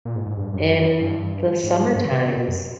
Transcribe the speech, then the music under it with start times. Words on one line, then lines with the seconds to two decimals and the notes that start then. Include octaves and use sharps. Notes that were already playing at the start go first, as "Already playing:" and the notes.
in the summer times.
0.05 A#2
0.16 G#2
0.26 G#2
0.37 G2
0.53 F#2
1.00 G2
1.64 G#2
1.95 G2
2.11 C3
2.27 C#3
2.37 B2
2.48 F#2